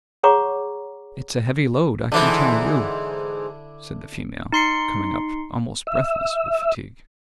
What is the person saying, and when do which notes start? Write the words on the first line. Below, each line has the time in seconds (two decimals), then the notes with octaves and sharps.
'It's a heavy load, I can tell you,' said the female, coming up, almost breathless with fatigue.
0.23 G#4 C#5 F#5 A#5 C#6 D6
2.12 G#2 D3 E3 D4 E4
4.52 D#4 C6 C7 C#7
5.87 E5